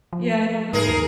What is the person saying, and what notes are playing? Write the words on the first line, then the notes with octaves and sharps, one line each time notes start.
Yeah, I don't know.
F3
G#2 D#4 G#4 A#4
D#2